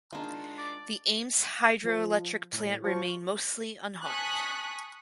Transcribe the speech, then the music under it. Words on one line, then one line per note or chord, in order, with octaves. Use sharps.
The Ames Hydroelectric plant remained mostly unharmed.
D#3 G#3 D4 D#4 F4
D5
F3
A2
F3 C#6
G#5 A5 C#6 D#6 F#6 B6